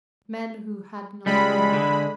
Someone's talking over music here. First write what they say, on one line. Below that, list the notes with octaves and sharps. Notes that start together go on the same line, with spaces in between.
Men who had not died!
C#2 G3 G#3 B5
D3